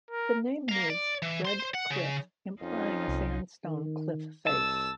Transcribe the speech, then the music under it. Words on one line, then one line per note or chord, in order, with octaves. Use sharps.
The name means 'red cliff', implying a sandstone cliff-face.
A#4
A#4 F5
D5
E3
C5 C6
F#5
C#3
F2 C#4 D#4 F4
C2
D#3
C2 A5 E6